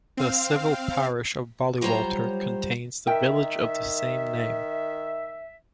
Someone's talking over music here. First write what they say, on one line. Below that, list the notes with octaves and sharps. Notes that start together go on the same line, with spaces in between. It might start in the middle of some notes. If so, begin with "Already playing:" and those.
The civil parish of Ballywalter contains the village of the same name.
C4 F5
F#3 G3 F4 C5 C#5 A#5
D#3 A#4 E5 G5